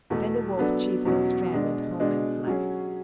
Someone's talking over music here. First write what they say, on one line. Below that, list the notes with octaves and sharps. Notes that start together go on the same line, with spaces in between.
Then the Wolf chief and his friend went home and slept.
E2 B2 A3
F#3 B3 D4 A4
E2 B2 F#3 C#4
B2 G#3 D4
B2 G#3 D4
F#3 C#4 G#4